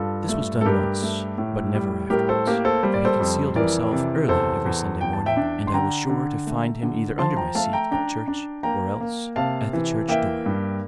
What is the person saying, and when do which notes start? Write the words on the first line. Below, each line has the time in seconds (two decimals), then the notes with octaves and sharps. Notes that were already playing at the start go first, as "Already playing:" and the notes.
This was done once, but never afterwards; for he concealed himself early every Sunday morning, and I was sure to find him either under my seat at church, or else at the church-door.
Already playing: G2 F4 A4
0.29 A3
0.61 A4
0.65 G2 G4 A#4
1.02 A3
1.38 A2
1.75 G3
2.10 A2 G4 A#4
2.29 A4 C5
2.46 A#3 G4 A#4
2.65 A4 C5
2.83 G3 C5
2.94 D5
3.05 A4 C5
3.20 F2
3.56 E3 A#4 D5
3.92 C3
4.28 E2 A4 C5
4.65 E2
5.01 E2 G5
5.13 A5
5.26 E5 G5
5.37 D4
5.67 C6
5.73 D3 G5 A#5
6.09 D3
6.47 A3
6.83 D3
7.18 F3 A5 C6
7.37 G5 A#5
7.55 A3 F5 A5
7.73 G5 A#5
7.91 D4 G5 A#5
8.28 D4
8.63 A#3 G5 A#5
9.01 A#3
9.36 C3 F5 A5
9.73 E3
10.09 A#3 E5 G5
10.46 G2